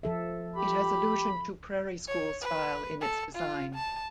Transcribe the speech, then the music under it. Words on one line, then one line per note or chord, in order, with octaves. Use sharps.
It has allusion to Prairie School style in its design.
F3 A4 E5
G4 B5
C#5
B4
A4
F4
A5